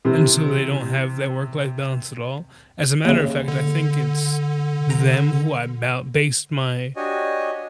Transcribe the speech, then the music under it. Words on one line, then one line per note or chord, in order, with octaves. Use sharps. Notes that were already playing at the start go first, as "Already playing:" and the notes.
and so they don't have that work-life balance at all. As a matter of fact, I think it's them who I mou base my
C3 E3 C4
D#2 C#3
D3
A#5
D4 F#4 G4 C#5 D#5 G#5